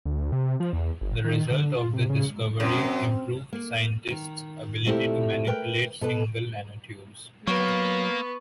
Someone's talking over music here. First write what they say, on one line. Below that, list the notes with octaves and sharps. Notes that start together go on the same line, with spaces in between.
The result of this discovery improved scientists ability to manipulate single nanotubes.
D2
C3
F3
E2
G1
D#3
D3
F4
C3
C#3
F#2 C4
A#3
D#3
A#2 A3 C4 E4 G4
A#4 B4 G5
B2 A4 B4
F#3 A#3 B3 C#6